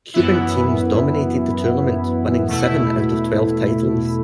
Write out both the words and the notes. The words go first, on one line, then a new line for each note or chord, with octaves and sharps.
Cuban teams dominated the tournament, winning seven out of twelve titles.
F#2 E3 B3 E4
E2 B2 A3 E4